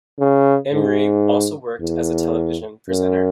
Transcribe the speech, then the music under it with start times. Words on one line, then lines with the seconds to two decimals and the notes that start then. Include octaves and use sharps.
Imrie also worked as a television presenter.
0.19 C#3
0.73 G#2
1.81 E2
2.88 F#2